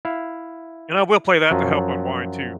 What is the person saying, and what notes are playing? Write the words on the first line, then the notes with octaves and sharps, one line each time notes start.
And I will play that to help unwind too.
E4 F5
F#2 F3 F#3